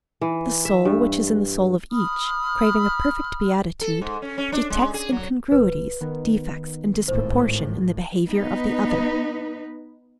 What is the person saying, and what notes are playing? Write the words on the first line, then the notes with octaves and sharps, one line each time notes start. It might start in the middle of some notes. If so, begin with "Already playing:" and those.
The soul which is in the soul of each, craving a perfect beatitude, detects incongruities, defects and disproportion in the behavior of the other.
E3
E5
G2
B5 D#6 F6
A4
G#2
C#4
C#4
D4
G#3
G#4
F#3
G1 B4
D#3 B3
G#1 A2 C5
B3 D#4 B4